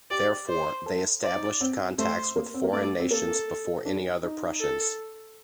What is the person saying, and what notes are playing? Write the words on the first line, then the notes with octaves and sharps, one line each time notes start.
Therefore, they established contacts with foreign nations before any other Prussians.
G4 D5
C5
A4
C5 D5
D#4
C4
A3 C5
A#3
C4
A#3
A3 D5
C4
A#3 A4
D4
D#4
A4